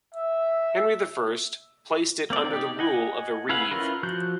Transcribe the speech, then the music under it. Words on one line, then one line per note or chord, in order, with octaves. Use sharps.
Henry the First placed it under the rule of a reeve.
E5
A#3 C4 D5
D#4 G4
D#5 F#5 G#5
E4 G#4 B4 F5 F#5
C#4 E4 F4 A#4 B4
F3 F#4 F#6 G6